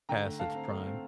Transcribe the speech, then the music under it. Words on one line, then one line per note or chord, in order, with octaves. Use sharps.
past its prime.
D3 G5 A#5
A3
D3 F5 A5
C4
A3
C4